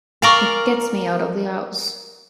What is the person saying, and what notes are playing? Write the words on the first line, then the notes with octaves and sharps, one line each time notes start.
It gets me out of the house...
A#4 D5 F5 G#5 C#6